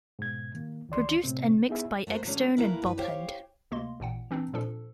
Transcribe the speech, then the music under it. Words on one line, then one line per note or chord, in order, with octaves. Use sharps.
Produced and mixed by Eggstone and bob hund.
G#2 B2 G#6
D#3 A#3
C#2 D#3 E3 D5 C6
A2 C3 C4
B3 D#4 E4 G#4 E5
A3 A#3 F#4 C5
D3 F#3 A3 C#4
D2 A#3 E4 A#4 B4
G2 B4
G4 C5 C#5 F5 G5
D2 C3 A#3 D#5 C6
A1 A#2 F#5 G5
E3 C4 D4 D#4
A#2 F3 D4 A4